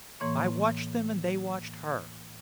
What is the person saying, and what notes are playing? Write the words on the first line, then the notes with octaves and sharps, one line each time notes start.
I watched them and they watched her.
A2 E3 A#3 C#5 C6 C#6